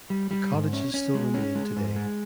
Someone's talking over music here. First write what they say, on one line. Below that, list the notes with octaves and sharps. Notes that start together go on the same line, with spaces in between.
The cottages still remain today.
G3
G3
G#2
C#4
C#4
G#3
C#4
G#3
G#2
G#3